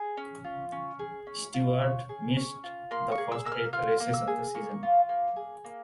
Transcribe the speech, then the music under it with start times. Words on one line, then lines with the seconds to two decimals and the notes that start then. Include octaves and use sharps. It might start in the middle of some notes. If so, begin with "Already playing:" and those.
Stewart missed the first eight races of the season.
Already playing: G#4
0.17 C#4
0.44 F4
0.72 C#4
0.99 G#4
1.27 C#4
1.54 F4
1.81 C#4
2.09 G#4
2.37 C#4
2.64 F4
2.91 A#3 C6
3.12 C#6
3.18 G#4
3.32 E6
3.45 A#3 E6
3.52 F6
3.73 F4 F6
4.00 A#3
4.14 E6
4.27 G#4
4.55 A#3 C#6
4.83 F4
5.09 A#3
5.36 G#4
5.64 A#3